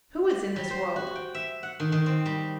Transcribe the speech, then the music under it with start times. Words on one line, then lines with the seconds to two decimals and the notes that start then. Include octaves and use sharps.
"Who is in this world?"
0.56 G3
0.70 C5
0.96 F#4
1.15 G5
1.35 E5
1.63 F#5
1.80 D#3
1.92 D#3
2.06 C4
2.26 G3